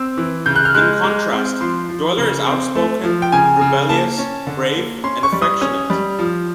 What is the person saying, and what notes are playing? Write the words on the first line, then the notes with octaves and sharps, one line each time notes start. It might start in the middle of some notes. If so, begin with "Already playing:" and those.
In contrast, Doyler is outspoken, rebellious, brave, and affectionate.
Already playing: C4 E6
E3
C#3 G6
F#6
F6
G#3 F#6
G#3
C4
F3 C6
F3
C#3
C4
A3
F3
G5
C#3 G#5
C#3
A#3 A5
C#4
D3
A#3
C#4 C6
C#6
G3
D#6
C#4 D#6
G3
F3